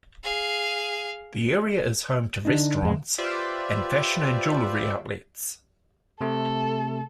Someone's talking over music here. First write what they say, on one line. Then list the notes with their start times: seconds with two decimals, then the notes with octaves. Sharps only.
The area is home to restaurants and fashion and jewellery outlets.
0.24 G#4 F5
2.45 D3 D4 D#4
2.83 F2 G#3
3.18 F4 G4 B4 C5 D5 E5
6.21 C3 A3 A4